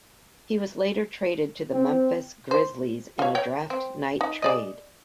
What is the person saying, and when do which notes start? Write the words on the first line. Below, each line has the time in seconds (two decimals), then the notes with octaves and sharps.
He was later traded to the Memphis Grizzlies in a draft night trade.
1.73 C4
2.51 C5
3.19 F4 C#5
3.35 C#5 G5
3.70 C4
4.21 D#4
4.42 G#4 D5 D#5